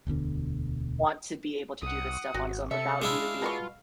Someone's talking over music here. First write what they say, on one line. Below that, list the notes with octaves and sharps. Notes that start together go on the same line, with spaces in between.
want to be able to do this stuff on his own without you being,
E1 D2 B2 D3
C2 F#5 D#6
G#1 F#4
C3 A4 E5 C#7
G#3 D4 E4 F5
B2 F4 B5 C#6